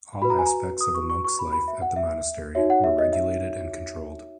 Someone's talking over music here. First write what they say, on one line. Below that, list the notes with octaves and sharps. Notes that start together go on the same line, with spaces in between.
All aspects of a monk's life at the monastery were regulated and controlled.
F#4 B4 B5
A#5
G#5
A#5
D#6
C#6
C#6
C#6
B5
B5
E5
F#5
E5
D#4 F#4 C#5 E5
F#5
E5
D#5
E5